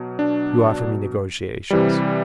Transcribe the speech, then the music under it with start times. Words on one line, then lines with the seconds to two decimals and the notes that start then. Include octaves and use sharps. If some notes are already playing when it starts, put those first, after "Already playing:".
You offer me negotiations!
Already playing: B2 F#3
0.19 D4
1.70 C3 E3 G3